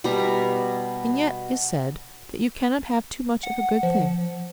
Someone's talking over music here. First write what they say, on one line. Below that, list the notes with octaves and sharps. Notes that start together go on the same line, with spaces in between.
And yet is said that you cannot have too much of a good thing.
B2 G3 G4 A#5
F#5
F3